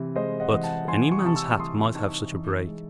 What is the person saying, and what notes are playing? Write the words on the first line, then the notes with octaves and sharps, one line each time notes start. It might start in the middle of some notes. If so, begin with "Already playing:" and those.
But any man's hat might have such a break.
Already playing: C3 E3
G#3 C5 D#5
D#5 F#5
E3
F#5 A5
E3 G#5 C6
C#6
D#6
C3 A5 C#6
C#6 E6
E3 C6 D#6
D#4 A5 C#6
E3
G#3